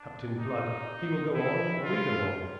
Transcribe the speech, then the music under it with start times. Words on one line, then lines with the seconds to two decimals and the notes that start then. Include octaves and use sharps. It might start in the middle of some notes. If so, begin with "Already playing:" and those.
Captain Blood, he will go on, and we go on.
Already playing: D4
0.39 D#4
1.35 E4
1.83 F4